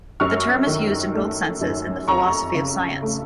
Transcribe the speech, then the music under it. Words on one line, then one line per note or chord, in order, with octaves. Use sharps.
The term is used in both senses in the philosophy of science.
F#2 C#6 F6
D#3
A3
F#2
F2 A#5 C#6
C#3
A3